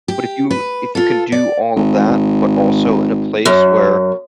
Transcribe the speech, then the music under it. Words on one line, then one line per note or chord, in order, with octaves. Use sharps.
but if you if you can do all of that, but also in a place where
G4
B4
F4 A4
D5
G#1
F#2